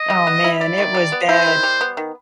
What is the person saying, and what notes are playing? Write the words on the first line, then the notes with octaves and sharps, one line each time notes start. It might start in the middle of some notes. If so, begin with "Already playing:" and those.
Oh, man, it was bad.
Already playing: D#5
G3
B3
E4
E4 D5
D#3
G3
B3
E4 C5
D#3
G3
B3
D#3